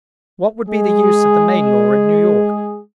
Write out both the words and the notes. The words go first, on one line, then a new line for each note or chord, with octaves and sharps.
What would be the use of the Maine Law in New York?
G#3 G#4